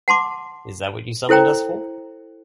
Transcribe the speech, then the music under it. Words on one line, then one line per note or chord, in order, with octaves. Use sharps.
Is that what you summoned us for?
F#5 A5 C6 D6
E4 A4 C5 G5 A#5